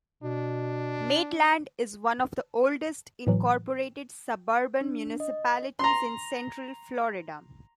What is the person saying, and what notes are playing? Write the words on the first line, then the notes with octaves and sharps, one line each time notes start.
Maitland is one of the oldest incorporated suburban municipalities in central Florida.
B2 D4
A2 E3 F#3
D4
D#5
A#5 C6